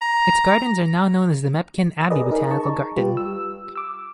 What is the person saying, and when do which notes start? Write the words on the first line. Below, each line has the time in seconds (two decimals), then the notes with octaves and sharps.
Its gardens are now known as the Mepkin Abbey Botanical Garden.
0.02 A#5
2.10 G#4 A#4 B4 D5 D#5
2.31 D#4 G#4 A#4 D#5
2.51 A5 A#5 C#6
2.96 G3 F4 G4 B4
3.17 E6
3.75 D6 E6